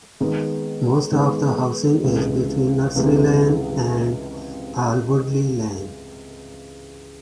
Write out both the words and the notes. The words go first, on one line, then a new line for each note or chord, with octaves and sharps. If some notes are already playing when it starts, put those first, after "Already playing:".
Most of the housing is between Nursery Lane and Alwoodley Lane.
D#3 G#3 B3
D#3 G#3 B3
C#2 C3 E3 G#3
C#2 C3 E3 G#3